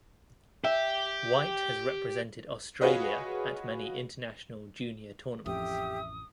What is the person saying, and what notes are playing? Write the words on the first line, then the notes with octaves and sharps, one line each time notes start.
White has represented Australia at many international junior tournaments.
G4 E5
F4 F#4 G#4 B4 C#5 D#5
A1 F2 G4 E5 D#6